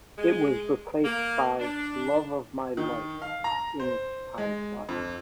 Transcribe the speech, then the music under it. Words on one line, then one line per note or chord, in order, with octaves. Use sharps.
It was replaced by "Love of My Life" in its timeslot.
G#3
A#3
D4
D#3
F5
A#5
C5
G#3
F2